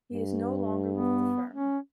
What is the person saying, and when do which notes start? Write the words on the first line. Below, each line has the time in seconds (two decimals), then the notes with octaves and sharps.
He is no longer with the firm.
0.13 G2
0.91 B3
1.53 C#4